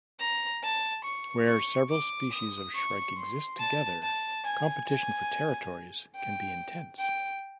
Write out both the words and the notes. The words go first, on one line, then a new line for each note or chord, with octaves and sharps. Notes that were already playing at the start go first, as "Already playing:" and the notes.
Where several species of shrike exist together, competition for territories can be intense.
A#5
A5
C#6
C#6
D6
D#6
C#6
C6
A5
A5
G#5
G#5
G5
G5